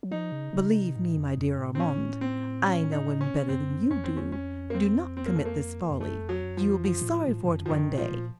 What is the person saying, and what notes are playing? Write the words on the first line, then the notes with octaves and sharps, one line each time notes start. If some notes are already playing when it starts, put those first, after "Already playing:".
Believe me, my dear Armand, I know women better than you do; do not commit this folly; you will be sorry for it one day.
F#3
F3 D#4
C#3
C#3
C3
A2
F2
F2
A2
C4
C#4
C4
C#4
D#4
C#4
F#2 C4
F2 C#4
C4
C#4
C#4
A#3
C4
C4
A#3
A3
A#3
F2
F#2 A3
F2
F#3
F#2
F3
F2
F#2 F3
A#2
A2
A2
A2
F#2
F3
F#2 D#3
A#2
F3
A#2